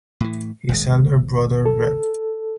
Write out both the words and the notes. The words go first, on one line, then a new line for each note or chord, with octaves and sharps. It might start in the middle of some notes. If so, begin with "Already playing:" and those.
His elder Brother Rev.
A2 E3
D#1 G#1 G#3
A4